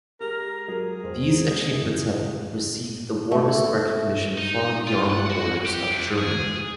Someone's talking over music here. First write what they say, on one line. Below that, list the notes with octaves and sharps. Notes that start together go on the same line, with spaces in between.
These achievements have received the warmest recognition far beyond the borders of Germany.
G#3 G4 A#4
F#3 G#4 A#4
E1 C5
F#2 C#3 E3
A3
D#4
F4
F#5
F#4
G4
G2
G#4